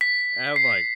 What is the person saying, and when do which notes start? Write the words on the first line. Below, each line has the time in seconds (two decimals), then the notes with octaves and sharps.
And, I'm like,
0.01 B6
0.56 C7